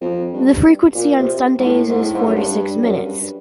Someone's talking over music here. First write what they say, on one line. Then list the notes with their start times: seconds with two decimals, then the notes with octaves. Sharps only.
The frequency on Sundays is four to six minutes.
0.01 F2
0.33 G2
0.95 A#2
1.18 C3
1.59 G#2
1.64 A2
1.89 G#2
2.01 A2
2.14 G#2
2.26 F#2
2.36 G2
2.82 F#2
3.05 G2